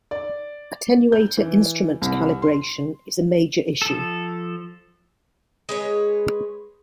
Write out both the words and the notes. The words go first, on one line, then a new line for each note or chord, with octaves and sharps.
Attenuator instrument calibration is a major issue.
D5
G6
E3
C2
C6
F3 A4
G#3 B4 C#5